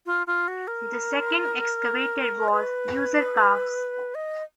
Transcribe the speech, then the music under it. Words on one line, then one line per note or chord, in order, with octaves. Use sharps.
The second excavated was Userkaf's.
F4
F4
F#4
A#4
D5
B4
D#5